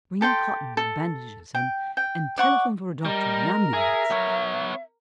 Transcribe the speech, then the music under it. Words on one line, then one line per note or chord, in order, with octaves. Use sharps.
"Bring cotton and bandages, and--and telephone for a doctor, an ambulance!"
G4 A4 G5 C6
A4
G5
G5
D5 F#5 C#6
G3 A#4 D#5
G#4 E5
B3 C#5